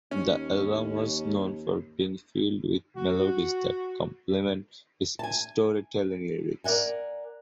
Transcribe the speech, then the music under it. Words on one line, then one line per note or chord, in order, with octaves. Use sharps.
The album was known for being filled with melodies that complement his storytelling lyrics.
D#2 C#4
F#4
G#5 A5
A#4 D5 D#5 F#5 G#5